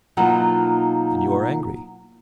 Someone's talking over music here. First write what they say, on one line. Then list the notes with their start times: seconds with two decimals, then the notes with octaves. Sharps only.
And you are angry!
0.17 B2 F#3 A#3 D#4 F4 F#5